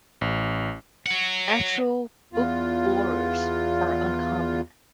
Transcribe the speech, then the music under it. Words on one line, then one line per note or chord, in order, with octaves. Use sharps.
Actual book-borers are uncommon.
A1
C#5 F#5
E2 F4